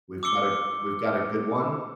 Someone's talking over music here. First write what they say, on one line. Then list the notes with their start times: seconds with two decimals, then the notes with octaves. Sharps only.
we've got a we've got a good one.
0.23 D6 E6 C#7 G7